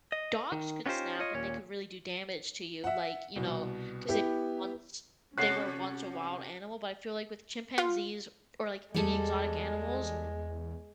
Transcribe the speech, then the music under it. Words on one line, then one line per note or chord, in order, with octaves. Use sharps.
dogs could snap and they could really do damage to you, like, you know, 'cause they once they were once a wild animal, but I feel like with chimpanzees or, like, any exotic animals,
D#5
D#3
B3 C#4 D#4 F4 G4 C5
F4 C#5 D#5
D#2 A#2 C#4 C#5
E5 F#5
C2 B2
B3 E4 G4
C3 C#4 F#4 A4 C#5 F#5 F#6 C7
F4
E2 G3 G#3 G#4 A4